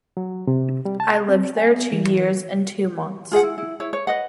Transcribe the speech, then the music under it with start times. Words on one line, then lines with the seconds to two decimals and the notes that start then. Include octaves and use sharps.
I lived there two years and two months.
0.17 F#3
0.47 C3
0.85 G3
1.00 A5
1.28 C4
1.57 G#5
1.72 B3
1.92 E3
3.32 F4 G#4 F5 F#5
3.43 E4
3.58 E4
3.80 E4 C#5
3.93 C#5
4.07 B4 D#5 F#5